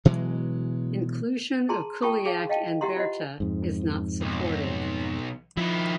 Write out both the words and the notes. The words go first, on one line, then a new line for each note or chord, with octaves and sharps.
Inclusion of Kuliak and Berta is not supported.
B2 E3 F#3 G#3
G#4 A5 A#5 C6
F4 G5 A5 B5 C#6 D#6
G#4 F5 A5
D#5 F5 G5 A5
E4 G4 E5 F#5 A#5 C6
F4 C5 D#5 F#5
F2 G#2
B1
D#3 F3 E4